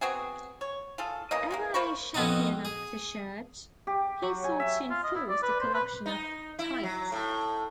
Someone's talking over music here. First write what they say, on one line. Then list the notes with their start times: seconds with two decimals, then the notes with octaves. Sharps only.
Ever a champion of the Church, he sought to enforce the collection of tithes.
0.01 B3 C4 F#4 G#4
0.61 C#5
0.98 F4 G#4 A4
1.31 C#3 E3 A#3 D#5
1.51 E3 G#3 A#3
1.74 A#3 C5 B5 C#6
2.14 F2 B2 B3 C4 D#4 D#5
2.65 G#4
3.87 G4
4.22 F#3
4.44 G#5
4.60 E5
4.90 F4
5.04 D#5
5.15 E4
5.29 D5
5.43 B4
5.60 C5
5.74 B4
6.06 D#4
6.59 E4
6.83 F#3
7.12 A2